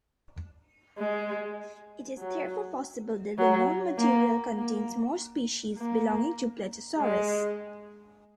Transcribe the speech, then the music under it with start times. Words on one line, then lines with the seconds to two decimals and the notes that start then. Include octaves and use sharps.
It is therefore possible that the known material contains more species belonging to "Plateosaurus".
0.98 G#3
2.18 F#3
3.38 F#3
3.98 A#3
4.58 A#3
5.77 A#3
6.98 G#3